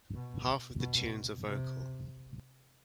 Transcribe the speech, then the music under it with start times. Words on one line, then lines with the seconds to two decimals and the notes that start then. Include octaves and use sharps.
Half of the tunes are vocal.
0.15 B2
0.79 B2
1.44 C3